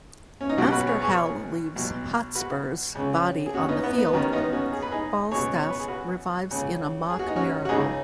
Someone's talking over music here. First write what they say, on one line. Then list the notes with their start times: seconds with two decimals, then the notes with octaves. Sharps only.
After Hal leaves Hotspur's body on the field, Falstaff revives in a mock miracle.
0.41 C#4
0.49 D#4
0.57 B1 B2 C#4 F#4
0.72 F#4 B4
0.87 G#4 C#5
1.02 G#4 C#5
1.76 B1 B2
2.35 F#4 B4
2.95 C#2 C#3
3.46 G#4
3.54 C#4 F#4
3.69 B3 D#4
3.83 B3
3.98 B3
4.13 D#2 D#3 C#4
4.33 B3 D#4
4.53 C#4 F#4
4.72 G#4
4.82 B4
4.92 D#4 G#4
5.31 C#2 B2 G#4 C#5
5.62 C#5
5.70 B4
5.80 G#4
5.88 F#4 B4
6.51 C#2 C#3
7.10 G#4
7.19 F#4
7.28 D#4
7.36 C#4 F#4
7.65 F#4
7.69 C#2 C#3 D#4 G#4